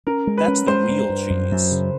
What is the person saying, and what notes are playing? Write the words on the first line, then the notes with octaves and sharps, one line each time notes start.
That's the real cheese.
C#4 A#4
G#3
B4
C#4
G#3 C5
G2
G2
F#2
F#2
C#3